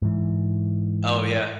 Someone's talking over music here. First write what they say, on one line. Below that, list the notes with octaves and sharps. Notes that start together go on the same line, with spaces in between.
Oh, yeah.
G#2 E3